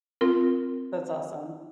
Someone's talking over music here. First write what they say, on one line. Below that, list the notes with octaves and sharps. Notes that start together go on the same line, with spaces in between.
That's awesome.
C4 F4 A#4